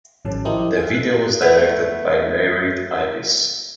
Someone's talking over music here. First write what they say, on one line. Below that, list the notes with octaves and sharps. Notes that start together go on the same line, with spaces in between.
The video was directed by Meiert Avis.
A1 D#3 F#3 C#4 A5
F3 E4 G4 A#4 C5 D#5
E5 F5 G#5
F#6
A3 B3